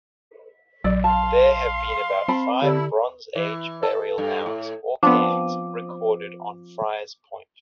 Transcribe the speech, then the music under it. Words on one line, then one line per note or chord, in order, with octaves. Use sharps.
There have been five Bronze Age burial mounds, or cairns, recorded on Friars Point.
A#1 F#3 D5
F5 A5 C6
C4 A5 B5
D3 E4 G4 D5 E6
E3
A4
G2
A2
F3 B3 C4 D4 D6